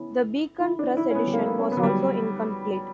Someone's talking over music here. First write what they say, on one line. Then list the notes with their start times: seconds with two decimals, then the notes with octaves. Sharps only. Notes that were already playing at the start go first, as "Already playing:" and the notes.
The Beacon Press edition was also incomplete.
Already playing: B3 C#4 E4
0.60 E4
0.79 D4
0.97 E4
1.11 C#4
1.15 B3
1.27 G3
1.34 A#3
1.46 B3
1.59 C#4
1.72 B3
1.77 F#3
1.83 G3